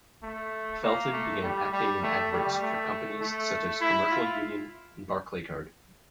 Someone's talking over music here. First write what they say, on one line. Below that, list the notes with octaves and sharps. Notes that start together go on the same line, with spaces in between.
Felton began acting in adverts for companies such as Commercial Union and Barclaycard.
A3
A#3
A3
G3
G3
A3
G3
A3
A3
E4
F4